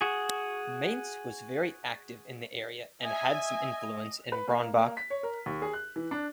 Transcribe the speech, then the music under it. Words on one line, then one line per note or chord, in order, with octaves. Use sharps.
Mainz was very active in the area and had some influence in Bronnbach.
F#4 G#4
D#5 E5 G#5
B4
A#3
A#3
B6
C#5
A#4
D#2
G#4
F#6
E3
D4